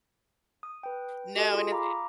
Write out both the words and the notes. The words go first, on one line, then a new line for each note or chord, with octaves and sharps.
No, and it,
D#6
B4 G5
F#4 G4 A4 D#5
F4 G#4 C6 D#6
F5 A#5 B5 D6